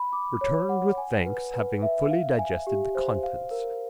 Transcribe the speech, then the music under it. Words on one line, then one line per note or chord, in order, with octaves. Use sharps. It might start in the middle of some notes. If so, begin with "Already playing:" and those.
Returned with thanks having fully digested the contents.
Already playing: B5
D6
C#5
F#5
G#5
B4
B4
E5
F5
G#5
G4
C5
F5
A#4